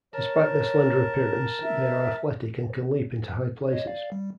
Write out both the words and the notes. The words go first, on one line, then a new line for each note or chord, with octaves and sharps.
Despite their slender appearance, they are athletic and can leap into high places.
A#4 C#5 A5
E5
C#5 D#5
D5 F5
G3